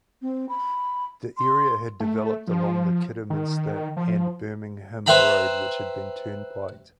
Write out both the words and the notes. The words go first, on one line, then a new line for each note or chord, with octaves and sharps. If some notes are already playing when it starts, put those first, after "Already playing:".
The area had developed along the Kidderminster and Birmingham Road, which had been turnpiked.
C4
B5
C6
A3
F3
D#3
F3
B4 C5 E5 G5 A#5 B5